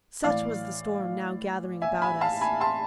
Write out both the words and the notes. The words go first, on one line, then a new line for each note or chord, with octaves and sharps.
Such was the storm now gathering about us.
A2 E3 D5 F5
E5 G#5
G#5 B5
F5 A5
G#5 B5
A5 C6